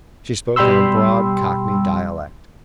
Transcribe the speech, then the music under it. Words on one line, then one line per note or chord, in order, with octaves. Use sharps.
She spoke in a broad Cockney dialect.
B2 G3 G5 B5 C6 E6